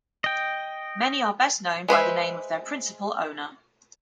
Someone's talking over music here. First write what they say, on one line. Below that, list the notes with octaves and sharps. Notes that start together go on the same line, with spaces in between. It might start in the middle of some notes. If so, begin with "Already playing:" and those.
Many are best known by the name of their principal owner.
D#5 G5
G#3 B4 C5 E5